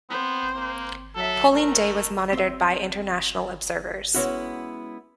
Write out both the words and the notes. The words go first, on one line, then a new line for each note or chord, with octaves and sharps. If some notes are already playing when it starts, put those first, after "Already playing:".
Polling day was monitored by international observers.
B3 C4 C5
A#3
F#3 A4 E5
A3 A#4
C4 E5
G#3 B3 C#4 E4 F#4